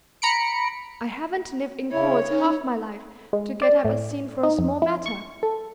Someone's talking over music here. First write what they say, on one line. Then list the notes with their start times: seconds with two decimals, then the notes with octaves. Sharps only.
I haven't lived in courts half my life to get up a scene for a small matter!
0.22 A#5 B5 C#7 D7
1.92 C#3 E4 C#5
2.30 C#4 D#4
3.33 G#3
3.62 D5
3.84 A2
4.43 D#4
4.59 F2
4.82 E4
5.06 C#6
5.43 A4